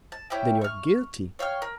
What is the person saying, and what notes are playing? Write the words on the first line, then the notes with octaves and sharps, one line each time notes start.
"Then you are guilty."
A5
C#4 E4 G4 G5
C#6 F6
C#5 F5 G5 F6
A#4